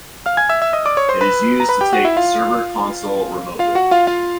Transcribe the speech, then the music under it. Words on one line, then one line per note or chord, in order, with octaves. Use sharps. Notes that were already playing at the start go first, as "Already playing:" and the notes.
It is used to take the server console remotely.
F5 F6
G#5 G#6
E5 E6
E5 E6
D#5 D#6
D5 D6
C#5 C#6
C5 C6
B4 B5
A#5
B4 B5
G4 G5
F#4 F#5
E4 E5
F4 F5
F4 F5
F#4 F#5
F4 F5
F4 F5